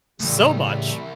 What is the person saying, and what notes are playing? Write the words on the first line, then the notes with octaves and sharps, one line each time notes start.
so much
C2 A2 C#3 E3 G3 A3